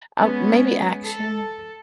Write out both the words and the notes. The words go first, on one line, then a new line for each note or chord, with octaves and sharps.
Uh, maybe action.
G#3 B3 C#4
A4